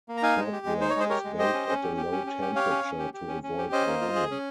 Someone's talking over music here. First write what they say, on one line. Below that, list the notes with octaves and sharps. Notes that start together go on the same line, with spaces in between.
Shortbread is baked at a low temperature to avoid browning.
A#3
A#5
D#4 F5 G#5
G#3
G4
G#3
D#4 C5
C#5
G#3 G#4 C5
G4 A#4 C#5
G#3
G4 C5 D#5
C#4
C#4
G4
G4
C#4
C#4
G4
G4 C#5 F5
C#4
C#4
G4
G4
C#4
C#4
G4
C#4 C5 D#5
A#3
F4
G#4
C#4